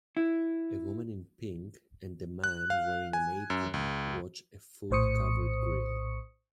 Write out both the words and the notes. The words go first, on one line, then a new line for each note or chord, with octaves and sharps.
A woman in pink and a man wearing an apron watch a food covered grill.
E4
F#6
F5
G#5
F#2
C#2
A#1 A2 C5 C#6 D#6 C#7